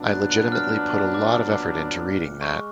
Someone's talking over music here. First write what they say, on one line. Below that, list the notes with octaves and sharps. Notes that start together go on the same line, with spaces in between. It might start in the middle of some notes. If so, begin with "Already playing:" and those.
I legitimately put a lot of effort into reading that.
Already playing: A#2 F#3 B3 D4
F#6
F#6
F6
D6
G#3 C#6